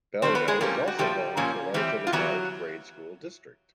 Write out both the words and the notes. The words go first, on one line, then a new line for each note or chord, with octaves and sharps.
Belleville is also home to a relatively large grade school district.
D#3 G3 C4 D4 C5
B3 B4
G#3 G#4
F3 G3 A#3 C#4 G4
F#4
A#2 F3 G3 A3 G4
A#2 F3 A#3 C#4
E3 G3 C4 G4
F4
E3 F#3 G3 B3 F#4